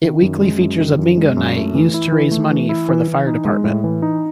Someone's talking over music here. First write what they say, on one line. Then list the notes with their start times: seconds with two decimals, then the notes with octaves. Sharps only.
It weekly features a Bingo night used to raise money for the fire department.
0.03 D#3
0.22 F#2
0.41 G#3
0.60 F#2
0.80 D#3
0.99 F#2
1.17 G#3
1.37 F#2
1.55 A3
1.75 E3
1.94 E4
2.12 E3
2.31 A3
2.50 E3
2.69 E4
2.89 E3
3.08 E3
3.27 D#4
3.45 G#3
3.64 A2
3.84 E3
4.02 D#4